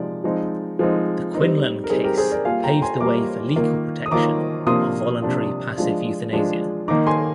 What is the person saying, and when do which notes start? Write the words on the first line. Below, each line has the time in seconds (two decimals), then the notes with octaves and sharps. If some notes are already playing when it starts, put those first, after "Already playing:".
The Quinlan case paved the way for legal protection of voluntary passive euthanasia.
Already playing: C3 F3 G#3 D#4 D5
0.24 F3 G#3 C4 D#4
0.79 F3 G#3 C4 D#4
1.35 G3 C4 D#4
1.84 A#4
1.90 G3 C4 D#4 G#4
2.04 G4 A#4
2.18 G#4 C5
2.32 A#4 D5
2.45 G3 A#3 F4 F5 G#5
2.64 G5 A#5
2.82 G#5 C6
3.00 G3 A#3 F4 A#5 D6
3.56 D#3 A#3 F4
4.06 D#6
4.11 D#3 A#3 F4 A#5 D6
4.67 C3 F3 A#3 D4 F4 C6 D#6
5.22 C3 F3 A#3 D4 F4
5.78 F3 G#3 D4 F4
6.33 F3 G#3 D4 F4
6.88 D#3 A#3 D#4 A#5 D6
7.06 G#5 C6